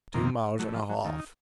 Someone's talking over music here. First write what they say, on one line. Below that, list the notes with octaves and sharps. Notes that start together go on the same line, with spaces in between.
"Two miles and a half."
F2 C3 D#3 A#3
A2 F#3
F3
F#3
D#2 D#3 A3
D#4